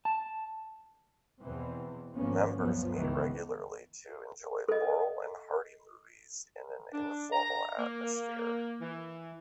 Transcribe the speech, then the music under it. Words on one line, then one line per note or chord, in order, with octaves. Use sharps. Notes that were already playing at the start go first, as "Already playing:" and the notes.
Members meet regularly to enjoy Laurel and Hardy movies in an informal atmosphere.
A5
E2 B2 E3 C4
G#1 F3 A#3 B3 C#4
G1 D2 F3 F#3 B3
C#2 G#2 D#3 E3 B3
A4 D#5
D4
A#5
A#3
E3